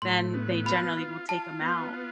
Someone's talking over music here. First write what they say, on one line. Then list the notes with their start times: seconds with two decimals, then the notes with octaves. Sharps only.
then they generally will take them out.
0.02 A2 C6
0.34 B3
0.65 F4 B5
0.98 F4
1.29 F4 A5
1.61 B3
1.94 F4